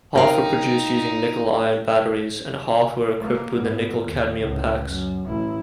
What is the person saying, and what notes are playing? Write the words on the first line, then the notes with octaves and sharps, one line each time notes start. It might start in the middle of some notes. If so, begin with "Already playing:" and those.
Half were produced using nickel-iron batteries and half were equipped with the nickel-cadmium packs.
D#4 A#4 F5 G5
A#3
G#2 B3
D#2
C#2 A2
F#2
A1 E4